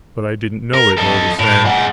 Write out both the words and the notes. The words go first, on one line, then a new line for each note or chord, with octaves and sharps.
But I didn't know it, all the same.
A#4
A4 D#5
A2
G#3 F#5